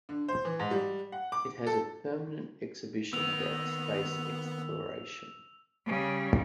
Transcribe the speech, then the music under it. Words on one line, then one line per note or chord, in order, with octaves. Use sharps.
It has a permanent exhibition about space exploration.
D3
C5
E3
G#2
G3
F#5
D6
A4
D#3 B3 E6 F7
C#3 G3